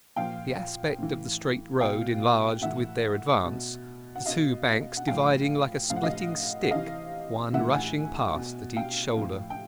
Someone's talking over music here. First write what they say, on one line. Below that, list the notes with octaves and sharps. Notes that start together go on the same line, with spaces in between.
The aspect of the straight road enlarged with their advance, the two banks dividing like a splitting stick; one rushing past at each shoulder.
A#2 F3 F5 G5
A2 E3
B2 F5 G5
A2 E3 E5 F#5
B2
F#5
B2 D#5 F5
F#5
A2 F3 F5 G5
A2 F3 F5
F#5
D#5 F5
F#5
C3 E3 D#5 F5
A2 E3 E5 F#5
F#5 G#5
B2
F5 G5
A2 F3
G5